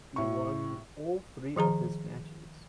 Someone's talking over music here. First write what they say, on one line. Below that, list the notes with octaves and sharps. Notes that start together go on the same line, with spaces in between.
He won all three of his matches.
A2 C#6
D#3 F3 G#4 A#5